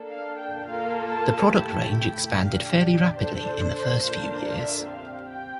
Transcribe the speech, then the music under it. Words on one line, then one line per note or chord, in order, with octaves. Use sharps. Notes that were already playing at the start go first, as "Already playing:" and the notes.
The product range expanded fairly rapidly in the first few years.
Already playing: A#3 D4 A4
F5
G5
A#3 F4 A4 F5
A5
A3 E4 G4 A5
G5
D4 G4 F5
D5
D4 A4 C5
C5
C5
A#3 D4 F4 A4 C5
C5
E5
C4 G4 F5
G5